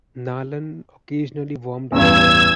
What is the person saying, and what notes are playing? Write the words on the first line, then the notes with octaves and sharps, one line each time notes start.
Nalon occasionally warmed up the car.
A1 E2 G2 E6 G#6